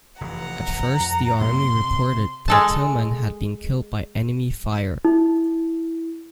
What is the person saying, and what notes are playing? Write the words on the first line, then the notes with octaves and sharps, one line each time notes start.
At first, the Army reported that Tillman had been killed by enemy fire.
F1 E3 F#5 A#5
F2
F#2 B2 A#3 C6
C3
G#3 A4 A5
E4